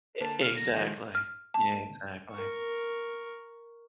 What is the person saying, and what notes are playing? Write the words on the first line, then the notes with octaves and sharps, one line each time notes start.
Ex exactly. Yeah, exactly.
D3 A#3 A5
F6
A#6
D#3 F3 G#3
F6
A5
A#4 C#6